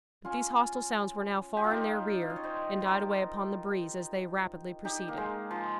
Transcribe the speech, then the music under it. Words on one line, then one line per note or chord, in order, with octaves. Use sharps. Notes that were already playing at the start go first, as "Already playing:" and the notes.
But these hostile sounds were now far in their rear, and died away upon the breeze as they rapidly proceeded.
C#4 F4
G4
F4
D#4 G4
F5
D#5
C#5
C5 D#5
C5
G4 A#4
D#4 G4
A#3
G#3
F3